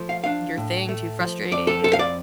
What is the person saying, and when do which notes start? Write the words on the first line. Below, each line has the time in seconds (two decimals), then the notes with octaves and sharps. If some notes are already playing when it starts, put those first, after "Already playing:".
your thing, too frustrating?
Already playing: F3 A3
0.09 F5
0.24 D4 F5
0.57 A2
0.89 A3
1.20 F3
1.51 F2 D5
1.67 A4
1.84 F2 A4
1.93 F5
1.99 D5